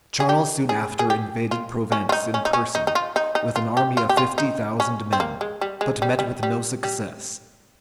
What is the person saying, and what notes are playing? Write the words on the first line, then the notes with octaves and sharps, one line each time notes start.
Charles soon after invaded Provence in person, with an army of fifty thousand men; but met with no success.
G#4
G4
G#4
G#4
G4
F4
C#4
F4
D#4
C#4
D#4
C#4
D#4
D#4
F4
D#4
D#4
F4
G4
F4
G4
F4
D#4
C#4
C4
A#3
G#3
G3
G#3
G3
G3
G3
G3